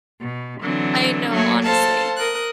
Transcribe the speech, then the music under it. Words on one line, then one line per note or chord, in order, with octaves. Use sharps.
I know, honestly,
B2
D3 E3 F#3 C4
F#3 A3 A#3 C#5
A4 C5 F5 A5
A#4 D#6 F#6